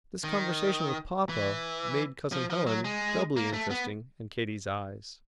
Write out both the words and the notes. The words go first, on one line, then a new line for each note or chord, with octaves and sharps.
This conversation with Papa made Cousin Helen doubly interesting in Katy's eyes.
D#3
E3
F3
F3
F#3
G#3
A#3
A3
B3